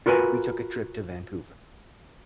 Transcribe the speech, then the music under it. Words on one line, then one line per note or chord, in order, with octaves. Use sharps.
We took a trip to Vancouver.
F4 F#4 A#4 B4 G#5 B5